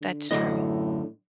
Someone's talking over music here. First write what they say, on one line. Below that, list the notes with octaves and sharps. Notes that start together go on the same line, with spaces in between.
That's true.
D3
F#2 A2 D3 D#5